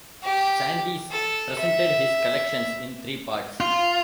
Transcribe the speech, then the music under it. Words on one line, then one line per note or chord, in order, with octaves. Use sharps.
Sandys presented his collections in three parts.
G4
A4
E5
F4